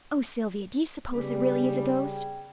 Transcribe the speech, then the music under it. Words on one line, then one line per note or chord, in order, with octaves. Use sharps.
"Oh, Sylvia, do you suppose there really is a ghost?"
C#3 G3 B3 D4 B4
G#4 G5